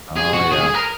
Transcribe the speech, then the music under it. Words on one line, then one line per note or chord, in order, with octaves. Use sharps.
Oh, yeah.
G#4
F#4
G#4
G#4
A#4